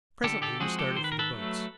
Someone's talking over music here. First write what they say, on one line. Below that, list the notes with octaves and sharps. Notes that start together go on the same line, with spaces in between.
Presently we started for the boats.
D3 G4 A4
G4 A4
F3 G#3 C4 F#4 G#4
G4 A4
D#3 C5
B4
A#4
A4 B4
F#3 A3